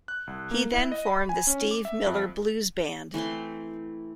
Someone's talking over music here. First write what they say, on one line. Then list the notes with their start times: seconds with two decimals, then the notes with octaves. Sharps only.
He then formed the Steve Miller Blues Band.
0.08 F#6
0.27 C2
0.51 A#3
0.73 E4
0.92 D#5
1.07 B5
1.29 G#5
1.47 C#4
1.71 D6
1.85 E5
2.06 F2
3.14 E3 A3 C4 C6